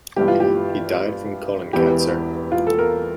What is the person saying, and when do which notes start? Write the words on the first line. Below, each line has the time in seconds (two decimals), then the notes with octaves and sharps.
He died from colon cancer.
0.16 G1 G2 E3 G4
0.28 F4
0.40 G4
1.73 E1 E2 E3 G4
2.52 F4
2.67 A4
2.79 A#4